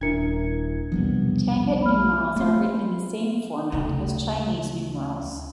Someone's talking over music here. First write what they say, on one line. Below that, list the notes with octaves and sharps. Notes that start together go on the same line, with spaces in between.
Tangut numerals are written in the same format as Chinese numerals.
D#1 D4 E4 A#4 G#6 C#7
B1 E2 C3 F3 G3 B3
B5 F6
A3 C4 E5 C6
D2 C#3